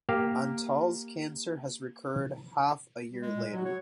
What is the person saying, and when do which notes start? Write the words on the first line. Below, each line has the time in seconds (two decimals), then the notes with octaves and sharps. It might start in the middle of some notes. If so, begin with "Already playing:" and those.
Antall's cancer has recurred half a year later.
0.09 A#3 G4 F5
3.09 G3
3.23 G#3
3.36 A#2
3.51 F#3 F#4
3.65 C#5